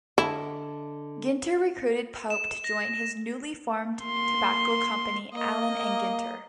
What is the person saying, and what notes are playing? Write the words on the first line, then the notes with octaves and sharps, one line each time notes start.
Ginter recruited Pope to join his newly formed tobacco company, Allen and Ginter.
D3 E4 D#5 A5
E7
A#6
A#3 C6
A#3 D#5